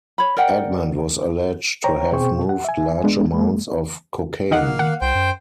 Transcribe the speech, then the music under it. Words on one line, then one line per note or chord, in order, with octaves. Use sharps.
Edmond was alleged to have moved large amounts of cocaine.
C#5 B5
A#4 D5 F#5 G5
C5 C#5 G5 A#5
B2 C4 G#4 C5 G5 C#6
F#5
E5 G#5
G#3 B3 D4
G#3 A#3
D#3 A#3 D#5 F5 F#5
D#3 F#5
C2 C5 G5
F#2